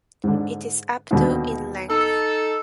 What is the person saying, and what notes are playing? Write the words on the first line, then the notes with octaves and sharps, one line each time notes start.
It is up to in length.
G#2 D3
D#2 B2 D3
D#4 A4